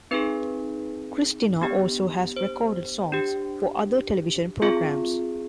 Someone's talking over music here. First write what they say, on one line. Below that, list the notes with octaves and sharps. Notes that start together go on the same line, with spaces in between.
Cristina also has recorded songs for other television programs.
C4 D#4 G#4 B4
B3 D4 G4
C5
D4 G4
C4 F4 G#4